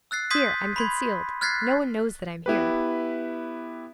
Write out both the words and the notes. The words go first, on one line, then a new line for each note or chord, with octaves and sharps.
Here I'm concealed, no one knows that I'm here.
E6 F#6 A6 C7
C6 D#6 G6 G#6 B6 D#7
B5 C6 G#6
F6 F#6 G#6 A6 B6 C7
B3 E4 G4 B4